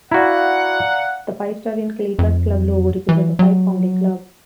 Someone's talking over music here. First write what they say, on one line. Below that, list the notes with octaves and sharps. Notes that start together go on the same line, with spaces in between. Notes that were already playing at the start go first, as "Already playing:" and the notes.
The five stars in Kallithea's club logo represent the five founding clubs.
E4 F#4 D5 F5 F#5 A#5
F2
E3
F#3